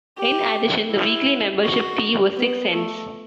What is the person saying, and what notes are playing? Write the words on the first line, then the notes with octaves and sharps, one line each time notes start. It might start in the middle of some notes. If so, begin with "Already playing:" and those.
In addition, the weekly membership fee was six cents.
G4
E4
F#4
B3
A3